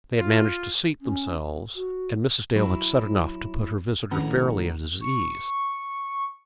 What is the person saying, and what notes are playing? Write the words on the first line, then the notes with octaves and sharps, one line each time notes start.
They had managed to seat themselves, and Mrs. Dale had said enough to put her visitor fairly at his ease.
F4
C#4
F#4
F#3 E4
A#1 A2 D#3 C#4 D4 F#5 A#5
C#6